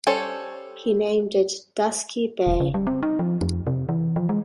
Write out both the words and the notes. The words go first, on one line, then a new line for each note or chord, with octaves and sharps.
He named it Dusky Bay.
G3 C#4 A4 C5 C#5
E1
C#3
G3
C4
D#4
F3
F2
C3
E3
F3
G#3